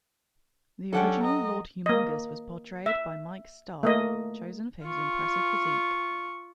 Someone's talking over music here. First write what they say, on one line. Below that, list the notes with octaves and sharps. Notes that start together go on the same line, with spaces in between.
The original Lord Humongous was portrayed by Mike Stark, chosen for his impressive physique.
F#3 C#4 D4 G4 A4 F#5 G5
D#5 A#5
A#3 D#5
E5
A3 A#3 D#5
F4 C#6